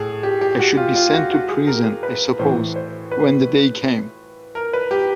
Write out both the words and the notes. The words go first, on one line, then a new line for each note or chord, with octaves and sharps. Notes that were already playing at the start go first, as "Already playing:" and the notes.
I should be sent to prison, I suppose, when the day came.
Already playing: A2 G#4
G4
G4
F#4
F4
F4
F#4
F#4
G#4
A#4
B4
A2 E3 C5
C5
B4
A#4
B4
G4